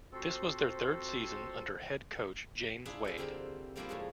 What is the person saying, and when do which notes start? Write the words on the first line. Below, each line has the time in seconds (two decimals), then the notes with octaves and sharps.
This was their third season under head coach James Wade.
0.13 C4 F4 F#4 A4 C5
2.85 D4 E4 F4 G#4 E5 F5
3.04 G#3 C5
3.18 D3 C4 G4 A#4 C5
3.76 F3 G3 A#3 D4 E4 F4
3.89 F2 A2 G#3 G#4